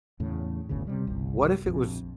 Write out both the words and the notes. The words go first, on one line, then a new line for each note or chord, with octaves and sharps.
What if it was
E2 A2 C#3
D1 G1 D2 C#3
C3 G3
G1 C2
A#1 F2